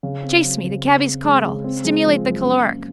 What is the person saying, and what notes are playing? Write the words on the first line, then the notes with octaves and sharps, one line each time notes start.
Chase me, the cabby's caudle. Stimulate the caloric.
C#3
C4
F#3
C#3
C#3
C4
G#3
C#3
C4
G#3
F3
F#2
C#4
A#3